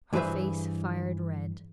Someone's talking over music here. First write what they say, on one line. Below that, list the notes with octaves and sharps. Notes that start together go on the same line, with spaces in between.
Her face fired red.
G2 E3 G#4 B4 C5 E5